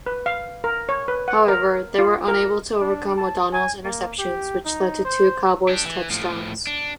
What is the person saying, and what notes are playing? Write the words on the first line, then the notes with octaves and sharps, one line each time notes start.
However, they were unable to overcome O'Donnell's interceptions, which led to two Cowboys touchdowns.
B4
F5
A#4
C#5
B4
F#5
A#4
F4
A#4
D4
A5
G#5
A#3
G4
D#4
C5
D4 G4
E3
A2 F3
D4